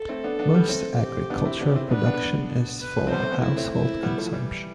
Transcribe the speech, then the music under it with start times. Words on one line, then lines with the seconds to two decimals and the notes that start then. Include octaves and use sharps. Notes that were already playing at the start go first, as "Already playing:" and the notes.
Most agricultural production is for household consumption.
Already playing: A4
0.09 A3 C4
0.24 B3 D4
0.39 B3 D4
0.54 G3 B3
0.69 A3 C4
0.99 G4
1.30 B3 D4
1.45 C4 E4
1.60 B3 D4
1.75 C4 E4
1.90 B3 D4 B4
2.06 B3 D4
2.82 B4
2.96 F3 A3
3.07 C4
3.11 G3 B3 C5
3.22 A3 C4
3.32 G3 B3
3.42 A3 C4 E4
3.57 A3 C4
3.73 E4
4.03 G3 B3
4.18 F3 A3
4.33 E3 G3